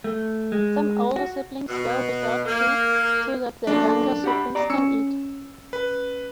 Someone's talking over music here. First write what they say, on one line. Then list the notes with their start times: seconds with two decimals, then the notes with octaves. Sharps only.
Some older siblings go without food so that their younger siblings can eat.
0.04 A3
0.52 G#3
1.16 F#4
1.69 B2
2.46 A#3
3.67 F#2 A#3 D4 A4
4.24 G4 F#5 B5
4.55 D5 A#5
4.70 C#4 E6 C#7
5.73 B4